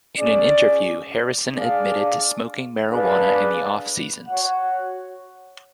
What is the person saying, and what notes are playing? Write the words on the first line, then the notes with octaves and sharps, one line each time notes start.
In an interview, Harrison admitted to smoking marijuana in the offseasons.
C#4 G#4 D5
D4 G#4 D5 F5
D4 G#4 B4 D5 F5
F#4 C#5 F#5